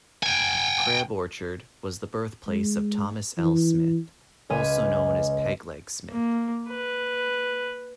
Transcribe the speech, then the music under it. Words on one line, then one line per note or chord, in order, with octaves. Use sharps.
Crab Orchard was the birthplace of Thomas L. Smith, also known as "Pegleg" Smith.
G5 G#5
G#3
E3
C#2 B4 G#5 F6 D#7
A#3
B4